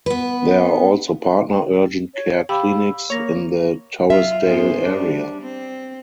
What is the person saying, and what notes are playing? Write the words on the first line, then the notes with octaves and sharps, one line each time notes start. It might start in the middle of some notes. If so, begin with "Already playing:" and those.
There are also partner urgent care clinics in the Torresdale area.
B3 B4
C#5
G4 F5 B5 E6
A#3 C#5 A#6 F7
F#3 F4 E5
G#2 B3 C5
G3 D4
C4